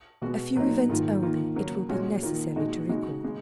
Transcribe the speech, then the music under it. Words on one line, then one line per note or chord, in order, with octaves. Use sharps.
A few events only it will be necessary to record.
B2 G#3 B3 F#4
A#2 F#3 A#3 D#4
G#2 D#3 A#3 F4
D#3 A#3 F4
C#3 F#3 A#3
A#2 G#3 C#4 F#4
D#3 A#3 F4
A#2 G#3 D#4 F#4
C#3 G#3 D#4 F#4
C#3 G#3